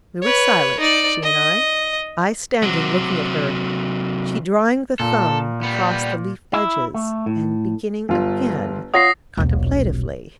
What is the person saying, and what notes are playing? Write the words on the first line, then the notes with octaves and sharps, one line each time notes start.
We were silent, she and I; I standing, looking at her, she drawing the thumb across the leaf-edges, and beginning again, contemplatively.
B4 C#5
D#4 D5
D#5
C3 F#3
A#2 A4
G3 B3
E4
A3
A2
G1 G2 F4
F4 C#5 F#5 D#6 A#6 C7
D#1 B1